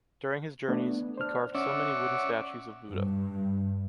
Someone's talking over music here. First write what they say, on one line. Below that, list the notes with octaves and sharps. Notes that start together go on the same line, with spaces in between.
During his journeys, he carved so many wooden statues of Buddha.
A3 B3 D4
D4 C5 F6
C#4 C#5 D5 E5 F#5
G2